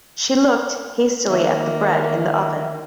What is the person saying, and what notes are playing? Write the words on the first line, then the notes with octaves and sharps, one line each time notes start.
She looked hastily at the bread in the oven.
D#3 A#3 E5